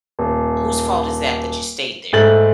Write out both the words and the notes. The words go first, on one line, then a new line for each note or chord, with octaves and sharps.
whose fault is that that you stayed there?
D#1
G#2 A3 A6 F#7